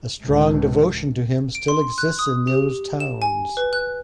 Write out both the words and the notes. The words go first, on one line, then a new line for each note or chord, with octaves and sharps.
A strong devotion to him still exists in those towns.
C#2 A2
D7
C6
F#6
D#6
G4
E7
G#5
B4
F#6